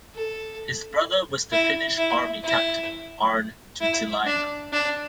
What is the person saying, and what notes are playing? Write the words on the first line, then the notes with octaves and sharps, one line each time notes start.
His brother was the Finnish Army Captain Aarne Juutilainen.
A4
E4
E4
E4
E4
D4
D4